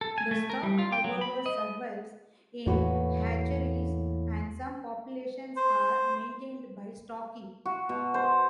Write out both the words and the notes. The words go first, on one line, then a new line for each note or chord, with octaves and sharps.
The stock however survives in hatcheries and some populations are maintained by stocking.
A4
G#5
A3
A#4
G3
F4
G5
F#3
B5
D#5
E2 A2 A#3 F#4 B4
C5
F#4
B2
C5